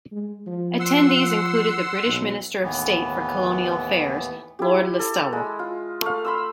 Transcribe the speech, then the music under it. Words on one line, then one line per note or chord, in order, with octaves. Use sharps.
Attendees included the British Minister of State for Colonial Affairs, Lord Listowel.
G#3
F3
F#5 C6 E6
B1
D#2 A2 E3 B3
E4 G4
A4
G#3
F4
A3 F5
B5 C6 E6